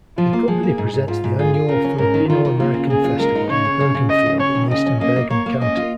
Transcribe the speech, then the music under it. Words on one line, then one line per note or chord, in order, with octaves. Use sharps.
The company presents the annual Filipino-American Festival in Bergenfield in eastern Bergen County.
F3 F4
A#3
F3 G#4
A#3
G#2
G#2
G#2 F4
G#2
F4 G#4
F4
C#3 A#4
C#4
G#2 A#4
D#3
D#3 F4
D#3
A#3 F4
C#3
C#3 G#4
F4
G#3 A#4
D#4
C#3 C#5
C#3
C#3
C#3
C#3 D#5
C#3
C#4 C#5
D#2
C#3 D#5
C#4
A#3 D#5
A#3
A#3 C#5
A#3
C#4 D#5
F4